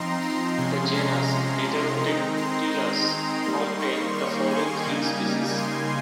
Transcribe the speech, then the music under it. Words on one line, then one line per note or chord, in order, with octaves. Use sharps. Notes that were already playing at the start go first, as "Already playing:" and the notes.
The genus "Heterodactylus" contains the following three species.
Already playing: F3 C4 D#4 A#5 C6
C6
C3 F3 G#3 C#4 C6
A#5
A#5
D#3 G#3 C4 D#4 A#5
C6
C6
A#5
D#3 G3 A#3 D#4 C6
C#6
C6
G#5
C#3 G3 A#3 D#4
C6